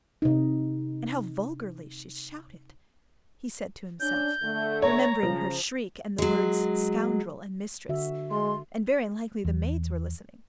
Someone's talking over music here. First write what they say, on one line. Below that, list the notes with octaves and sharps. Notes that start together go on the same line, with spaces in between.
And how vulgarly she shouted," he said to himself, remembering her shriek and the words--"scoundrel" and "mistress." "And very likely the maids were listening!
C3 D#4
C#4 D4 G6
D3 A3
C#5 A#5
C#3 F3
F#3 G#3
D3 F#4 E5
G#3 C6
E2